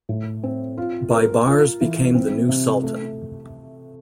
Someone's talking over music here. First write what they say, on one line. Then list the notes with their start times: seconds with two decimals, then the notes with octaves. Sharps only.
Baibars became the new Sultan.
0.09 A2
0.43 C4
0.78 F4
1.12 A#4
1.47 F4
1.81 E3
2.15 C4
2.49 C3
2.83 A3